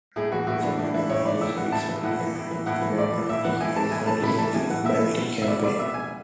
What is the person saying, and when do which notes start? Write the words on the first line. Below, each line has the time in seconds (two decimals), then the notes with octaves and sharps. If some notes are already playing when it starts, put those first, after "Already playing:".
The German navy used its pre-dreadnoughts frequently in the Baltic campaign.
0.16 A2 G#4
0.31 E3 F#4
0.47 A2 F#4
0.63 E3 D4
0.79 A2 D4
0.94 E3 E4
1.09 A2 C#5
1.25 E3 D5
1.41 A2 E5
1.56 E3 F#5
1.72 A2 A5
1.88 E3
2.04 A2 F#5
2.20 E3
2.35 A2
2.51 E3
2.66 A2 F#5
2.81 E3
2.98 A2 D5
3.13 E3
3.29 A2 E5
3.44 E3 F#5
3.60 A2 G#5
3.76 E3 A5
3.91 A2 G#5
4.07 E3 A5
4.22 A2 B5
4.38 E3 A5
4.54 A2 G#5
4.70 E3 F#5
4.85 A2 E5
5.01 E3
5.16 B2
5.42 E5
5.48 B2 D5
5.64 D5
5.79 B2 E5
5.94 G#5